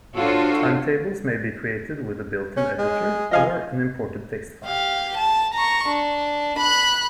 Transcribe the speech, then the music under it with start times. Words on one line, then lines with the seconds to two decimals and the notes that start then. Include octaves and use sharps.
Timetables may be created with the built-in editor or an imported text file.
0.15 D4 F4 F#4 A4 C5 C#5
2.57 C#4
2.78 G#3
3.31 F3 D#5 F5 G#5
4.66 G4 F5
5.17 A5
5.54 A#5 C#6
5.88 D4
6.59 B5 F#6